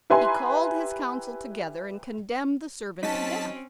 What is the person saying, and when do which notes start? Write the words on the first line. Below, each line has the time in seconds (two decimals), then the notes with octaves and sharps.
He called his Council together and condemned the servant to death.
0.10 E4 G4 B4 G#5 A#5 C6
3.03 F#3 C4 C#4 D#4 A5 B6